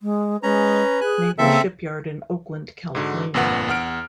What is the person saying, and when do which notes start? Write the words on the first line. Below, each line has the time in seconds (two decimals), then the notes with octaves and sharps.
Naval Shipyard in Oakland, California.
0.01 G#3
0.43 G#3 C#4 B4 A#5
1.01 G#4 G#5 F#6
1.38 C#3 A#3 C4 A4 E5
2.95 G#2 D3 F#4
3.34 G1 F2 A#2 B4 F#5
3.68 E2 F#5 F6 D7